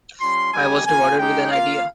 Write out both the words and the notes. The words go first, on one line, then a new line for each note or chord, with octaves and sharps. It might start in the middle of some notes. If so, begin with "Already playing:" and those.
I was rewarded with an idea.
G3 C#4 F4 C6
G3 A#3 D#4 G4 G#5
A#3 F4 G#5
G#3 D#4 G4 G5
A#3 F4 F5